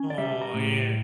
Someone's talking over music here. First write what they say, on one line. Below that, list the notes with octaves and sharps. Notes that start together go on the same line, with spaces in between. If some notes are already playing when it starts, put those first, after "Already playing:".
Aw, yeah.
Already playing: C#4
D5
G3 E5
A#5
A2